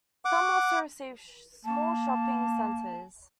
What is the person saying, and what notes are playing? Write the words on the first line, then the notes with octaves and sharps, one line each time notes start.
Some also received small shopping centers.
F#5 D6
A#3 A5